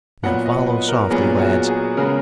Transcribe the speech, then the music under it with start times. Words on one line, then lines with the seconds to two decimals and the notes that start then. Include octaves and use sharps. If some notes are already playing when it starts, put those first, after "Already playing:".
Now follow softly, lads!
0.23 A#2 F#3 B3 F#5
0.45 D#5
0.67 B4
0.88 A#4
1.10 A#2 F#3 B3 G#4
1.39 F#4
1.68 G#4
1.97 C#3 G#3 B3 A#4